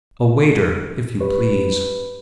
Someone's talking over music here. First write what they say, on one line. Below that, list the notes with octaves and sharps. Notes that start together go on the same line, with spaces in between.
A waiter, if you please.
G4 B4